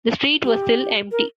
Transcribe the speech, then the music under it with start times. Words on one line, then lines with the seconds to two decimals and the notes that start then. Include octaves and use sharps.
The street was still empty.
0.45 G4
1.12 A#4